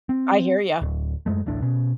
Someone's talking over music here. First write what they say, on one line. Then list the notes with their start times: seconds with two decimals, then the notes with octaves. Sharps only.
I hear ya.
0.09 C4
0.82 D1
1.26 F#2 G#3 A3
1.46 D1 A1 A2 D4
1.62 B2 C#4